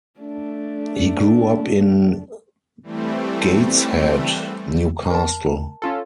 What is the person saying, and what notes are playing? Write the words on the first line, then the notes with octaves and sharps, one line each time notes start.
He grew up in Gateshead, Newcastle.
A3 D4
E3 G3 A3 C4
A#4 A5
C#4 F4 A4